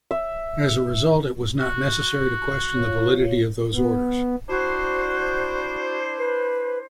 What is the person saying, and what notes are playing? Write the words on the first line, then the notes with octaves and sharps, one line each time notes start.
As a result, it was not necessary to question the validity of those orders.
E5
F#4
F4 C#5
B3
D4 E4 F#4 C5
B4